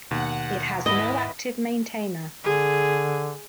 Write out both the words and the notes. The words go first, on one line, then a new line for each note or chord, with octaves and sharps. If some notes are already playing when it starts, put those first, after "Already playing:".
It has no active maintainer.
D#2 B2 F#5
G#2 B3 E4 B4 D#5
D3 G#4